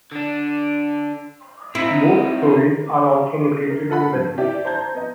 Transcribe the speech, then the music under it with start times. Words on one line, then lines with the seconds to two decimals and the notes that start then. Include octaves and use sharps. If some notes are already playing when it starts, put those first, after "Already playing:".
Both stories are also located in Bethany.
0.11 D3 D4
1.75 C4 D#4 E4
3.70 A#4
3.90 F4 A4 F#5 B5
4.15 G2
4.37 E4 G4 D5
4.65 C5 A5 A#5 G6 G#6
4.95 B3 D#5